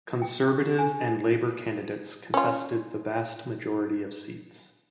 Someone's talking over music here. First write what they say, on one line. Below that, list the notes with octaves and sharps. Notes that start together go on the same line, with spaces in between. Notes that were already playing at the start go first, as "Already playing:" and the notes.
Conservative and Labour candidates contested the vast majority of seats.
G5
C#6
G#5
C#4 F4